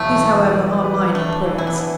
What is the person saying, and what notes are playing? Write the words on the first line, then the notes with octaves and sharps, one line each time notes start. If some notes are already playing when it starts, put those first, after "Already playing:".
These, however, are minor points.
Already playing: B1 A2 E3 A3
E3
D5
B4
A3 D4
E3
E4
D4
E3 B3